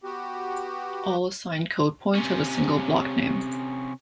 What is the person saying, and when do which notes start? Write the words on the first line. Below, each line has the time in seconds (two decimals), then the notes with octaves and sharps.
All assigned code points have a single block name.
0.04 B3 F#4 G4
2.15 C3 C#4